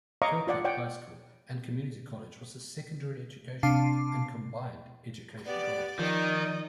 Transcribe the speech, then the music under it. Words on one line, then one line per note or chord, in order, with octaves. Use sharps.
Kirkland High School and Community College was a secondary education and combined education college.
C#5 D#5 F5 A#5 C#6 D6
F4 D5 F#5
C#5 D5 F#5 G5
C3 D4 F5 A5 D6 C7
B3 G4 D5
D#3 F3 D#4 D#5